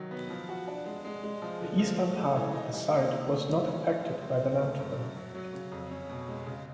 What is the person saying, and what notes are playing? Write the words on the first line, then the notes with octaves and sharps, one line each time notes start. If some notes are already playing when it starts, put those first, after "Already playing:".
The eastern half of the site was not affected by the landfill.
Already playing: D#3 F#3
B3
F3
F#4
D4
G#3
G#3
G#3
F3
D3
F3
A3
A3
E3
D#4
G3
A#3
C3
A3
A3
C#4
C#4
G#3
C4
C4
A3
F#2
F#2
F#3
F#3
C#3
F2
C#4
B2
G#3
C#3